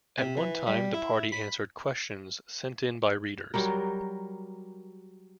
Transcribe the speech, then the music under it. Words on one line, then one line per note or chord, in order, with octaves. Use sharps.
At one time, the party answered questions sent in by readers.
C3
E3
G3
E4
B5
F#3 G3 A#4